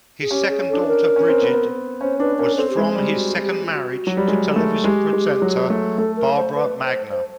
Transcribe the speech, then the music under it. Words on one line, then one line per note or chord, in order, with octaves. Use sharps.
His second daughter Brigid was from his second marriage to television presenter, Barbara Magner.
G#4
C#4 G4
C#4 G#4
C#4
D4 A4
B4
A#4
C#4
C4
B3
C4
C#4 C5
D4 B4
C#4 A#4
C4 A4
G4
G#3 G#4
G3 G4
G4
F#4
G4
F4
F#4
F#3
G3
G#3
A3
G#3 G4
G#3
F#3
A3
A3 A4
A#4
C5
B4
C5
C5